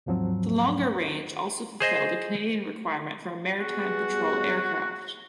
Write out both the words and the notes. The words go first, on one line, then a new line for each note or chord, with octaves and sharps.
The longer range also fulfilled a Canadian requirement for a maritime patrol aircraft.
D#2 G#2 F3 F#3 C4
G#4 C5 D#5
G3 B3 F#4 G#4